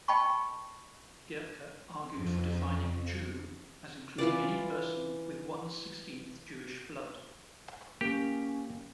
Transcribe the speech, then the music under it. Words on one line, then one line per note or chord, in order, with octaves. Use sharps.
Gercke argued for defining "Jew" as including any person with one-sixteenth Jewish blood.
D#5 G5 A5 B5 C#6
F2
E3 F4 B4 D5
A#3 C#4 G4